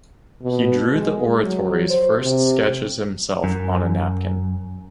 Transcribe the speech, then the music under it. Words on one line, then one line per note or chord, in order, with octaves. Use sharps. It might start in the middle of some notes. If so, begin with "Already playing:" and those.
He drew the oratory's first sketches himself on a napkin.
B2
G#3
F#3
C5
C3
F#2